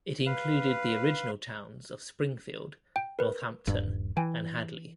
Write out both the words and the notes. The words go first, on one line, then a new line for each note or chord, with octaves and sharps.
It included the original towns of Springfield, Northampton, and Hadley.
B4 F5
G5
A#4 B4
D#1 G2
E3 G5 G#5